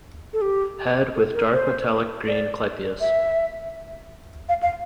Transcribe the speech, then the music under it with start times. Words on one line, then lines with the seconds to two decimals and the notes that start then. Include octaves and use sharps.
Head with dark metallic green clypeus.
0.33 A4
0.41 G4
1.16 A4
1.35 A#4
1.53 C5
2.28 D5
3.01 E5
4.49 F5
4.62 F5